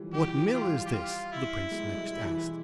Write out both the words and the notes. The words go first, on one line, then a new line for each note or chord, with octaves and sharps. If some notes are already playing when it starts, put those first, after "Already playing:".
"What mill is this?" the prince next asked.
Already playing: E3 F3 G3
E3 G4
E3
F3
G4
F4
G3
G4
F4
E4
G#3
G#3
G3
E3